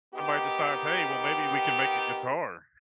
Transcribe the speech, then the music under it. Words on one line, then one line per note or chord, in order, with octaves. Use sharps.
somebody decides, "Hey, well, maybe we can make a guitar."
D#3 B3 D#4 G4